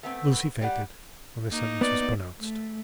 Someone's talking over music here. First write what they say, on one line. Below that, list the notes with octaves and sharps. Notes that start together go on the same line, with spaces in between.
Lucie fainted when the sentence was pronounced.
A3 B3 C4
G3 G4 D5 F#5
A#3 D#4
B3 D5
A3